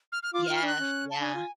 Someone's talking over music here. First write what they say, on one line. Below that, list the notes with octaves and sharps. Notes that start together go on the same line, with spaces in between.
Yes, yeah.
F6
F6
F4 D6
F6
F4
F6
D4 F#6
C#4
A5
D4 G#5
F4